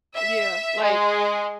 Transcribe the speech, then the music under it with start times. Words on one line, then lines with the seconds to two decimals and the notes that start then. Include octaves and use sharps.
Yeah, like
0.15 E5
0.83 G#3